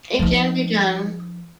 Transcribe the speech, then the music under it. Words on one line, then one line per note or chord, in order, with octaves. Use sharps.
It can be done.
F3 D#4